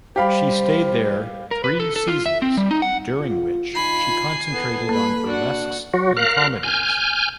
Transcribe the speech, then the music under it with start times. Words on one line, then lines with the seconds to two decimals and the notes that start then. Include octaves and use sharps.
She stayed there three seasons, during which she concentrated on burlesques and comedies.
0.16 G3 G4 C5 F5 B5
1.51 A#4
1.64 B4
1.80 A4
1.96 A4
2.08 F4
2.26 E5
2.42 C4
2.57 G3
2.71 D#4
2.82 F#5
3.19 F4
3.75 D#3 F4 G#5 B5 C7
4.52 E2 B3 A4
4.89 A#3 B4 B5
5.26 D4 F#4 F#5
5.94 F#3 F#4
6.17 A#4 F5 F#6
6.63 G#5 F6 G6